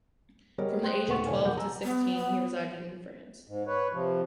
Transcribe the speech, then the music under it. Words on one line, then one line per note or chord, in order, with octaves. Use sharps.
From the age of twelve to sixteen he resided in France.
G3 B3 G#4 A#4 C#5 D#5
C5 G5 C6 D#6 F#6
D#1 D#2 A3 F#5 C#6
D#1 B1 C#5 D5 F5 G#5
F1 F#3 G#3 A#4 F#5 G6
G#5 A#5 E6
B3
B3
G#2
B4 C#5
C3 F3